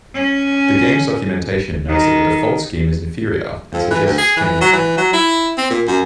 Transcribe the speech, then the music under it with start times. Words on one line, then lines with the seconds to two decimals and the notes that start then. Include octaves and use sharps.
The game's documentation notes that the default scheme is inferior, and suggests changing it.
0.15 C#4
1.89 D#3
3.74 F2
3.91 E3
4.06 D2
4.18 G#4
4.36 E3
4.61 F#3
4.73 E3
4.97 F#3
5.13 E4
5.58 C4
5.70 A#2
5.87 F#2